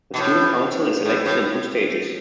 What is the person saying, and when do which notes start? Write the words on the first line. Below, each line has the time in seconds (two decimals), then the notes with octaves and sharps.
The Student Council is elected in two stages.
0.14 B2
0.18 A2
1.05 A2
1.26 A2